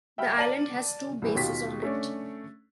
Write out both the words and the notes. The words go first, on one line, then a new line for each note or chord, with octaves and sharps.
The Island has two bases on it.
E5 F#5 G5 B5 F6
D5 A5 D#7 F#7
C2 A2 E3
D#2 B2 F4 G4 B6
A3 C#4 D4